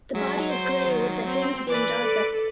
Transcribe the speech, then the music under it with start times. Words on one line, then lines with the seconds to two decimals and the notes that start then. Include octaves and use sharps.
The body is grey with the fins being darker.
0.15 F#3 G#3 E5
0.49 C5
0.84 D#3
1.26 C4
1.70 E3 B4 D5 D6
2.00 A4